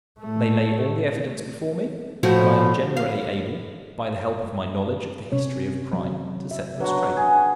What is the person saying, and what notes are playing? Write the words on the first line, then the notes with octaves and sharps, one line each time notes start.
They lay all the evidence before me, and I am generally able, by the help of my knowledge of the history of crime, to set them straight.
A2 A3
A2 F3 F#4
F5
C3 C#4 C#5
F#3
E5
F#3 D4 F#4 B4
G#4